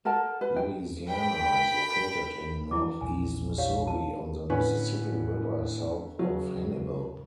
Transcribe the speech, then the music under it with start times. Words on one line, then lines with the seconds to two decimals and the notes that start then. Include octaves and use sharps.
Louisiana is located in northeast Missouri, on the Mississippi River south of Hannibal.
0.05 A4 A#4 F#5 A5
0.41 B4
0.56 G5
1.08 G5 B5 B6
2.71 E3 F3 E4 D6
3.01 A#1 E2 G#5
3.58 G4 C#5 F5
3.87 A5
4.50 A2 D3 C#4 B4
6.19 C#3 F#3